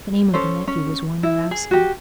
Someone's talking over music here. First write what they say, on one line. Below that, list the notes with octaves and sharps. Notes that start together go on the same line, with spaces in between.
The name of the nephew was Warnarowski.
C#4 A4 C5
C#4
E4
G#4
F#4 G4